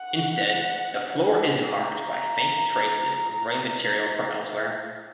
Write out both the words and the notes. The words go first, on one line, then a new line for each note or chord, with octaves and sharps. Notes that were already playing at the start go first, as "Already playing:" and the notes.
Instead, the floor is marked by faint traces of ray material from elsewhere.
Already playing: F#5
A#5